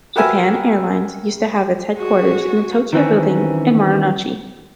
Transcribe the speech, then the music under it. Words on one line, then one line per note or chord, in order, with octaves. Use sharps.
Japan Airlines used to have its headquarters in the Tokyo Building in Marunouchi.
F#4 G4 A#4 B4 E5 G#5
F#4 G#4
D#3 E3 C4 C#4